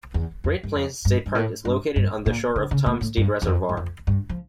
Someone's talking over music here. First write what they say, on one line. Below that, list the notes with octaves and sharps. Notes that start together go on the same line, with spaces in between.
Great Plains State Park is located on the shore of Tom Steed Reservoir.
E2
F2
G2
F2
G2
G2
A2
G2
G2
A#2
D3
C#3
A#2
A2
G2
E2
F2
G2
F2
G2
F3